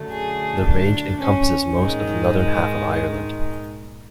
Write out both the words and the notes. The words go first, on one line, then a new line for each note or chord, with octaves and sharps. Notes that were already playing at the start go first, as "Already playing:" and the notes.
The range encompasses most of the northern half of Ireland.
Already playing: F#2 D3 F#3 A3
G#4
D4
C#4
G#2 D#3 G#3